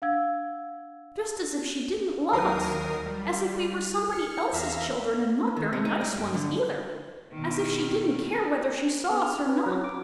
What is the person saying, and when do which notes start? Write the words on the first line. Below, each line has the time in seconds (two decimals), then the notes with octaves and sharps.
Just as if she didn't love us--as if we were somebody else's children, and not very nice ones either--as if she didn't care whether she saw us or not.'
0.02 D4 F5 F#5 E6 G#6
2.32 D#2 D#3 F#3 A#4 D#6 C7
3.06 G3
4.11 F6 C#7
4.52 E2 E5 F5 A#5 B6
5.57 D#3
5.73 C3
5.85 D#4
6.01 G3
6.17 G2
6.34 D3
7.32 B2 D#3
9.11 B3
9.23 F6
9.48 B4
9.66 F#3
9.84 D6